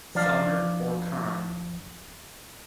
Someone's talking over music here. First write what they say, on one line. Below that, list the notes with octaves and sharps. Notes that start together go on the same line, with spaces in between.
Selmer or Conn.
F3 D4 D5 F5